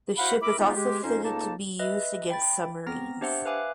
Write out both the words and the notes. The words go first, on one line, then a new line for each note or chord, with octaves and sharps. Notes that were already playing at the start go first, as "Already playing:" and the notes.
The ship is also fitted to be used against submarines.
E4 F#4 C5 F5 F#5 B5
E4 A#4 E5 B5 D6
F3 G#3 B3 D#4 F4 G4
G#3 G4
F2 C#4 D#4 C5
C#2 A#3 D#4 A4 A5
B4 D#5 E5
G5 B5 A6
B3 C4 A#5 A#6
D4 G4 C5 E5 F#5
B4 E5 F5 G#5 D6 F#6